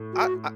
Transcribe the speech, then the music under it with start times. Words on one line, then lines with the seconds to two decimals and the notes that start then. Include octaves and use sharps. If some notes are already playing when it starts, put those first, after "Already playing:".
I I
Already playing: A2
0.12 F#4